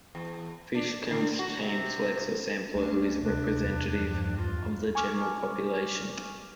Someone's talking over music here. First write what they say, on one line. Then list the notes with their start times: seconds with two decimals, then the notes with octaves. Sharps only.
Fishkin's team selects a sample who is representative of the general population.
0.15 E2
0.75 D4
1.11 D3
1.39 F#4
1.63 C3
2.75 C#2 A3 C#4 D4
3.23 D2 C3 D4
3.64 E2
3.98 G2 F3
4.37 D2 F4
4.95 G#5 C#6 D6 F6